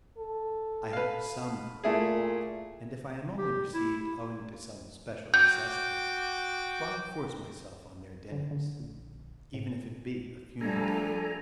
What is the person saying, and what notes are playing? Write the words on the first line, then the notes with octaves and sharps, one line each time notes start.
I have some pride, and if I am only received owing to some special necessity, why force myself on their dinners, even if it be a funeral dinner.
A4
B4 F5
A#2 A3 E4 G#4
G4
E4
F#4 G5 D6 G6
D3
D3
A#1
A2
F3 G3 A3 D4 A4 G#5 A#5